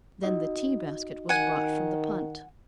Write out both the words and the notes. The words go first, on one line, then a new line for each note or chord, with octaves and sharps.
Then the tea-basket was brought from the punt.
D#4 F#4 D#5
D#3 F#5 G#5